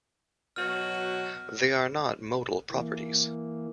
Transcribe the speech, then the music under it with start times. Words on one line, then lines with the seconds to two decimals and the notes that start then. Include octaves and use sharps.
They are not modal properties.
0.56 B2 F#3 F#4 F6
2.72 E3 A#3